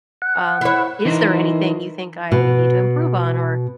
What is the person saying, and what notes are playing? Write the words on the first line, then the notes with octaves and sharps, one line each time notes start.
um, is there anything you think I need to improve on, or,
F#5
E4 C#5
E3 D#4 A#4 C5
B2